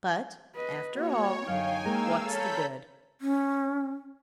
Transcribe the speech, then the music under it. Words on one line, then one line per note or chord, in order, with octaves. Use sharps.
But, after all, what's the good?
B4 D#5
A#3 F#4 C#5
F#2 D3 D#4 F5 G5 G#5
G#3 A#3 F5 A#5 E6
A4 C#5 B5 G6 B6
C#4